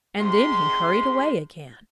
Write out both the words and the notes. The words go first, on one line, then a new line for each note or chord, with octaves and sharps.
And then he hurried away again.
G#2 C3 C6